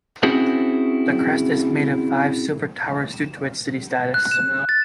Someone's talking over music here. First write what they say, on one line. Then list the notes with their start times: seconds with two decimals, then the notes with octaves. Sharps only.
The crest is made of five silver towers due to its city status.
0.23 C4 C#4 E4 F#4 G#4 C5
4.14 F#6
4.31 E7
4.69 A6